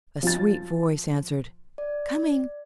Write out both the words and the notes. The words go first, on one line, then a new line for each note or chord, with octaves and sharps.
A sweet voice answered, "Coming!"
F3 A6
D5